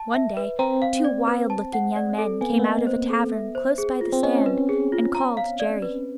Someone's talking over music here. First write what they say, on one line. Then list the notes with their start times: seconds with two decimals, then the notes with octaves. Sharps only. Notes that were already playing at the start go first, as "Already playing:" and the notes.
One day two wild-looking young men came out of a tavern close by the stand, and called Jerry.
Already playing: A5
0.14 E5
0.37 B4
0.59 C4 A#5
0.82 F5
1.04 D5
1.28 B4
1.50 A5
1.73 F#5
1.96 D5
2.18 A4
2.41 B3 G#5
2.50 A#3
2.59 B3
2.64 D#5
2.87 C5
3.10 A4
3.33 E5
3.55 C5
3.78 G#4
4.01 F4
4.12 C4
4.23 C#4 D#5
4.46 B4
4.69 G#4
4.92 F4
5.15 A#5
5.37 F5
5.60 D5
5.82 B4